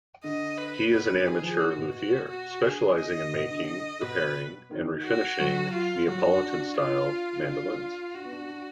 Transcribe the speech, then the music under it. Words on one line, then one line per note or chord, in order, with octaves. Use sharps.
He is an amateur luthier, specializing in making, repairing, and refinishing Neapolitan-style mandolins.
D3 D#5
B4
B2 B4
D3
D#3 G#4
F3
D#3 F#4
B2
B2 F#4
F#4
D3 G#4
D#5
B2
D3
D#5
B2 B4
D#3
F#4
F#3
F4
F#3 F#4
D4
D4
D4
F4
D#4
D4 F4
D4 F#4
B3
D4
D4